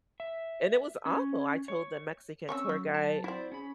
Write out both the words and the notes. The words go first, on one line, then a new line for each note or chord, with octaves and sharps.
and it was awful. I told the Mexican tour guide,
E5
C#4
C#5
C4 C#4 C#5 C#6 E6
F#3 C#4
A5
C4 E4 F#4 C5 D5
C#4 G#4 B5